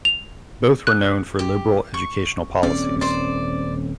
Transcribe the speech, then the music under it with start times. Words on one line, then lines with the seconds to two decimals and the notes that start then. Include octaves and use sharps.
Both were known for liberal educational policies.
0.05 F7
0.87 F#6
1.39 G4
1.94 C#6
2.63 D#1 C4 C#4 D5
3.01 C5 D5